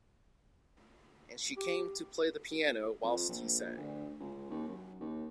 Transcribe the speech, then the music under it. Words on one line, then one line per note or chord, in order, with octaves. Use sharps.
And she came to play the piano whilst he sang.
G4
F2
A#1
D2
C#2
D#2
F#2
D#2